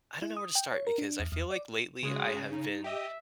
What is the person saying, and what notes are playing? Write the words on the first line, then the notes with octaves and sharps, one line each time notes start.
I don't know where to start because I feel like lately, I have been
E4
D#6
G5
C#5
A#4
D4
E2
E2
D5
C#3 G#3 F#4 G#4
D#4
G4 D#5 E5 D#6